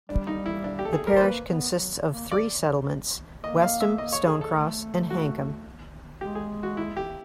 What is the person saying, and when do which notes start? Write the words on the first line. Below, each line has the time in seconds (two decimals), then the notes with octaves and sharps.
The parish consists of three settlements: Westham; Stone Cross; and Hankham.
0.09 G3 D4
0.27 D#4
0.46 E4
0.64 D4
0.79 G4
0.85 A4
0.93 G#4
1.07 A#4
1.16 C5
1.21 A#3 B4
1.49 B3
1.76 F#3
2.13 A#3
2.32 D5
3.43 A#3 D#5
3.62 F5
3.81 E5
3.98 D#5
4.12 C#5
4.27 G#4
4.41 A4
4.54 A3
5.10 F#4
6.21 G#3 G4
6.35 G#4
6.63 F#4
6.77 E4
6.97 G4